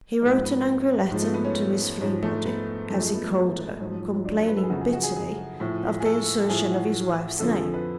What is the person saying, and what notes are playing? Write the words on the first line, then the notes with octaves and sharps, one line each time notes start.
He wrote an angry letter to Miss Fleabody, as he called her, complaining bitterly of the insertion of his wife's name.
G#2 F3 G#3
B3
G#2 F3 G#3
A3
B3
C#4
G#2 F3 C#4
A3
B3
F#2 F3 A3
G#3
B3
A3
G#3
G#2 F3 F#3
F3
F3
F#3
D4
B4
A4
G#4
F#2 C#3 F3 F#4
G#4
F#4
G#4
G#4
A2 F3
G#4
A4
A2 F3 G#4
F#4
F2 D3 F3 A4
G#4
A4
B4